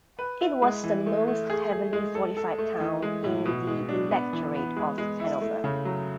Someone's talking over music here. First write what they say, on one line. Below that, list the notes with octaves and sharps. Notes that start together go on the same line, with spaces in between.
It was the most heavily fortified town in the Electorate of Hanover.
B4
E4
G#3
E3
A3
A3
G#4
G#4
G#3
A4
A4
A3
E3
G#3
A2
B2
G#3
D4
B3
E3
B3
G#3
G#3
E4
A3
C#3
F#3